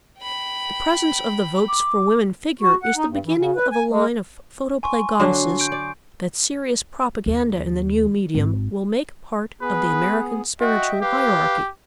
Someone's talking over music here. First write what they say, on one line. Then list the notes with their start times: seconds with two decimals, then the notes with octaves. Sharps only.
The presence of the "Votes for Women" figure is the beginning of a line of photoplay goddesses that serious propaganda in the new medium will make part of the American Spiritual Hierarchy.
0.22 G5 B5
1.68 D6
2.61 F#4
2.83 F#5
2.96 D#4
3.08 G2
3.25 E3
3.38 C#3
3.56 B4
3.72 G#5
3.90 G#3
4.83 G#5 C6 C#6
5.20 D3 F#3 D4 C7
5.60 G6 D7
5.72 D5
7.26 D#2
8.35 G#1
9.61 B3 G#4 B4
10.60 F#4 D#5 E5 G5
11.02 G4 B4 F5